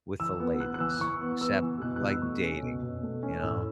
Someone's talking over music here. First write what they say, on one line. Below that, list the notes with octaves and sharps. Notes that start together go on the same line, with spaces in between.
with the ladies. Except like, dating, you know?
E3 E6
B3
B3 F#6
F#6
E3 E6
E3 C#6
B3
B3 E6
E3
B2 F#6
F#6
B2
E6
A3 C#6
C#4
B2
B2
A3
C#4
A2 E6